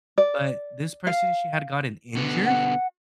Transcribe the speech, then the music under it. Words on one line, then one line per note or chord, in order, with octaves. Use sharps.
but this person, she had gotten injured
D5
F5
B2 D3 B3
F#5